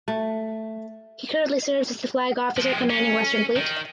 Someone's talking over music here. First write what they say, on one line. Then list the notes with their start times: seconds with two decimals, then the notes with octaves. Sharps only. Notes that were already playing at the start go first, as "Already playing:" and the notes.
He currently serves as the Flag Officer Commanding Western Fleet.
0.08 A3
2.57 F3 G#3
2.90 C#4
3.56 D#3